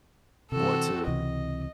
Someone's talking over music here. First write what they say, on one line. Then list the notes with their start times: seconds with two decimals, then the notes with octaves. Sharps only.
want to
0.52 C3 E3 C4 F#4 A4
1.07 C#2 C3 E3 D#5